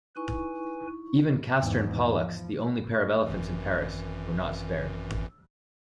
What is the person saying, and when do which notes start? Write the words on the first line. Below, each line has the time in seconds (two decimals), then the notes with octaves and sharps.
Even Castor and Pollux, the only pair of elephants in Paris, were not spared.
0.16 D#4 E4 B4 G#5 C#6
1.60 E2 G#2
2.13 F3
3.27 G#1 F#2 E3